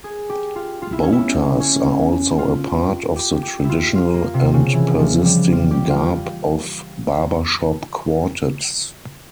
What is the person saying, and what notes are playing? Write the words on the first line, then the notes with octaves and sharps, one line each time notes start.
Boaters are also a part of the traditional and persisting garb of barbershop quartets.
G#4
G4
F4
F4
E4
C#4
E4
C#4
F4
G4
G4
E4
F4
F4
A#3
C3
C#3
E3
F3
G3
F4
G4
F4